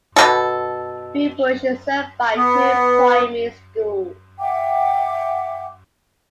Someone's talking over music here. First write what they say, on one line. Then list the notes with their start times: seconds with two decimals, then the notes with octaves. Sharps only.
Bewbush is served by two Primary schools.
0.16 B2 F#3 A4
2.36 B3
4.39 E5 F#5 G5 D6